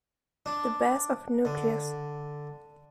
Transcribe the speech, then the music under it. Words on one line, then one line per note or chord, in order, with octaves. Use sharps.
The Best Of Newcleus.
D4
D3